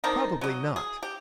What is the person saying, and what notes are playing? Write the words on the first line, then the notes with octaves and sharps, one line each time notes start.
Probably not.
D#3 C4 D4 D#4
F#3 D#5
G#4
G4